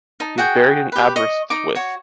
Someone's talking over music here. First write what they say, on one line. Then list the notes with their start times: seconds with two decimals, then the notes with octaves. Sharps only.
He is buried in Aberystwyth.
0.20 D#4 A5
0.38 F#4 G#4 F#5 G5
0.92 G4 B4
1.16 D#5 C#6
1.50 D#4 D6
1.75 F#4 C#5